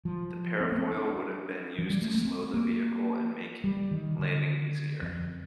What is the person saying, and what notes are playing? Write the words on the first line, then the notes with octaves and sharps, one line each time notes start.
The parafoil would have been used to slow the vehicle and make landing easier.
F3
C4
A#3
C4
D4
F3
G3
A3
A#3
C4
A#3
G3
D#3
D3
F2